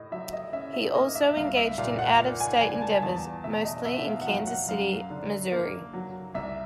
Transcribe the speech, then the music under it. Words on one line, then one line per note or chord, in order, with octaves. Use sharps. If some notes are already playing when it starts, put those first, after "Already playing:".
He also engaged in out-of-state endeavors, mostly in Kansas City, Missouri.
Already playing: A2 D#5
F#3 E5
D#5
C#4 E5
E5
A#3 D#5
E5
C2 F5
E5
A#2 F5
F#5
A#3
G#5
G3 G#5
A5
E2 A5
B2 E5
D#5
B3 E5
F5
F#5
F#3 F5
F#5
F#2 F5
D3
A#3
F#3
C2 E5